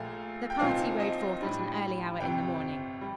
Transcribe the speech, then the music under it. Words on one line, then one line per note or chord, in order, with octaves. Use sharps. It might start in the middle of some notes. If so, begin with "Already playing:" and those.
The party rode forth at an early hour in the morning.
Already playing: A#1 A#2 A3 F5
G5
C2 A#2 F3 C4 D#4 F5
D#5
A2 G3 D4
G1 F2 C3 G5
G3